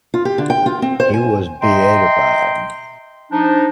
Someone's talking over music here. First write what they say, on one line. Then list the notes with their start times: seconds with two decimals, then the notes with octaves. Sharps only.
He was beatified.
0.14 F4
0.25 G4
0.38 D3
0.50 G5
0.66 F4
0.82 C4
1.00 C5
1.13 G#5
1.62 D#5 E5 G5 A#5 C6
3.32 F3 D4 D#4